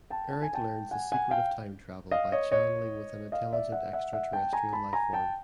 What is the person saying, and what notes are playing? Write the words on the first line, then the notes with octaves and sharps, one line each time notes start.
Eric learns the secret of time travel by channeling with an intelligent extraterrestrial lifeform.
G5 A5
A5
G#5
G5 A5
F#5 G#5
F#5 G#5
F5 G5
D#5 F5
C#5 D#5
C#5 D#5
D#5 F5
D5 E5
E5 F#5
E5 F#5
E5 F#5
G5 A5
G#5 A#5
A5 B5
G#5 A#5
G5 A5